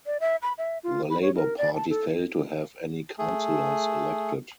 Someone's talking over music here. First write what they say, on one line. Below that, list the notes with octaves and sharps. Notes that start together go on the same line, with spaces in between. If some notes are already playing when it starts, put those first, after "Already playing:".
The Labour Party failed to have any councillors elected.
D5
E5
B5
E5
F4
B5
C#5
A#4
D5
A5
A4
A3 G#4